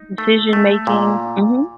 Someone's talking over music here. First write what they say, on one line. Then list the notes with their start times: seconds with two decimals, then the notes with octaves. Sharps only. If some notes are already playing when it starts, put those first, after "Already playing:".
Decision making, mhm.
Already playing: D#4
0.18 A3
0.53 A3
0.87 A#2